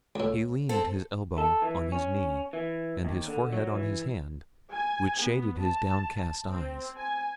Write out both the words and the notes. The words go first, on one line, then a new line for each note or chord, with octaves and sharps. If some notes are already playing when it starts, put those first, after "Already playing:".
He leaned his elbow on his knee, and his forehead on his hand, which shaded his downcast eyes.
C#2 A2
C4 A4
A4
E3
C#4
E3
D#2
D3
F#3
E3
G#5
B3
A5
C4
G#5